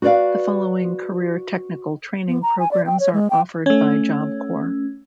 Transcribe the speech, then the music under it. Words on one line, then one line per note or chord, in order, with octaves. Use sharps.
The following Career Technical Training programs are offered by Job Corps.
F#4 B4 C5 D5 F5
B3
A#5
G#5
D5
G5
C#5
G#3
G5
A3 C#4